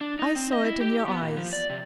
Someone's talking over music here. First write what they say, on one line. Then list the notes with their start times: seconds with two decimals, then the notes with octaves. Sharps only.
I saw it in your eyes.
0.01 D4
0.19 D#4
0.36 C4
0.53 D#5
0.65 E4
0.80 G4
1.08 B3
1.21 A#2
1.37 F3
1.53 D5
1.70 C3